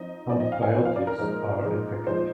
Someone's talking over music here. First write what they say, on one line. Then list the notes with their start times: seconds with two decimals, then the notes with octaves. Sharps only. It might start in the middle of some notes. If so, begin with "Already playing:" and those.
Antibiotics are effective.
Already playing: F3 C4 D#4 D#5
0.30 F3 C4 D#4 D5
0.40 D#5
0.52 F5
0.62 G#5
0.74 F3 C4 D#4
0.85 F5
0.96 D5
1.07 A#4
1.18 A#2 F3 G#3 D#4
1.63 A#2 F3 G#3 D#4
2.07 A#2 F3 G#3 D#4 C5